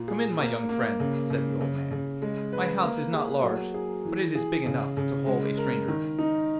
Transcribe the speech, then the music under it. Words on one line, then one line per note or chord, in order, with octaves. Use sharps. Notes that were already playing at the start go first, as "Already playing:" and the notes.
'Come in, my young friend,' said the old man; 'my house is not large, but it is big enough to hold a stranger.'
Already playing: A#2
G#4
A#3
A#3
C#3
C#3
C#3
C#3
G#3
B4
A#3
G#4
F#3
G#4
E3
G#4
C#3
C#3
G#3
A#4
D#3
D#4